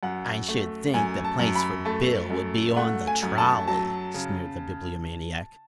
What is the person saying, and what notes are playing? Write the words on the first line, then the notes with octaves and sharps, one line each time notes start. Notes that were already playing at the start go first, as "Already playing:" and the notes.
"I should think the place for Bill would be on the trolley," sneered the Bibliomaniac.
F#2 F#5
A3
F#2 G#5
A5
F#2
B5
A3 A5
F#2
A3 F#5
G#5
F#2
A5
F#3 A5
C#3